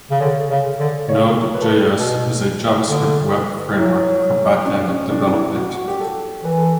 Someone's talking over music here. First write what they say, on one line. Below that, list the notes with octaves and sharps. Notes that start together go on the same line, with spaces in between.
Node.js is a JavaScript web framework for backend development.
C#3
D3 C#5
C#3 C#5
D3 D5
C#3 C#5
B4
A4
B4
B2
D3
F#3 E4
D4
C#4
D4
D4
E4
F#4
F#4
G4
A4
E3 B4
A4